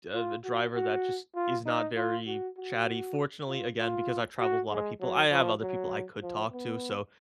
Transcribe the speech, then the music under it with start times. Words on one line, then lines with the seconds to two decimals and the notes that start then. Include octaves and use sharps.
a a driver that just is not very chatty, fortunately again because I've traveled with a lot of people, I have other people I could talk to so uh
0.14 F4
0.44 F#4
0.74 F#4
1.35 F4
1.66 D#4
1.96 F4
2.27 F#4
2.57 F#4
3.48 F4
3.79 F4
4.39 F#4
4.70 G#3
5.00 F#3
5.31 F3
5.61 F#3
6.22 F3
6.52 B3